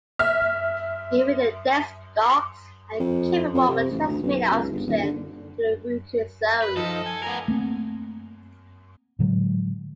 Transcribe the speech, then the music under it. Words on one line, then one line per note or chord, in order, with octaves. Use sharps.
Even the dead stalks are capable of transmitting oxygen to the rooting zone.
E5 F6
F2
F2
C3
A1
D2
B1
C#2
G1
D#1
D3
B4
F3 D#4 A4
G#5
B3 A#4
A3 A#3 C4
A2 D3 F#3 G#3